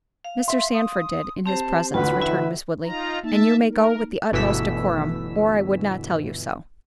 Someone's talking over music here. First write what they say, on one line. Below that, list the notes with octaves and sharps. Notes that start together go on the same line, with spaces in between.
"Mr. Sandford did, in his presence," returned Miss Woodley, "and you may go with the utmost decorum, or I would not tell you so."
F5
E5 C6
D#6
C4 G4 C5 A5
A1 D2 F4 B4
E4 E5
D#4 F4 A#5
A#3 D#4 E5 A5
A#4
G1 B2 E3 A3 E6 B6